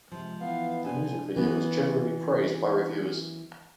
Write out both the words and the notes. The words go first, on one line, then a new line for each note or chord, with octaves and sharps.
The music video was generally praised by reviewers.
C3 F3 G#3
E3 B3 F5
F3 D4 A4 G#5
E3 B3